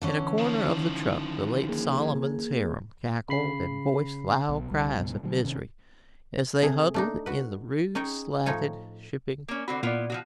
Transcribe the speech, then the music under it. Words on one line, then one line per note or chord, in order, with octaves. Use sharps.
In a corner of the truck, the late Solomon's harem cackled and voiced loud cries of misery as they huddled in the rude, slatted shipping coop.
D3 E3 C#4
D#3 F3
A#3 G#4
C#3 B5 C7
B1 B2
C2 G3
C#2 G2 B2
D3 F#3
C3 D#3 C#4
C3 G#4 A4
A3 D4 D#4
F#4 B4
C#4 D#4 G#4 C#5 G5
A2 F3 D#4 C#5 G#5
A#3 C#4
D3 C4 F#4 B5
A#2 B3 E4 F4 D5
F3 F#3 F#4